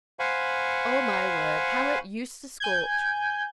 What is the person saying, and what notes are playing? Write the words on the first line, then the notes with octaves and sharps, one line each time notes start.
Oh, my word, how it used to scorch!
C5 F5 F#5 G#5 B5 C#6
G#5 G6 G#6